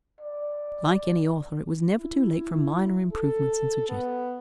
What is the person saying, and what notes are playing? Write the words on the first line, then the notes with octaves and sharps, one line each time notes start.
Like any author, it was never too late for minor improvements and suggestions.
D5
E4
A4
B3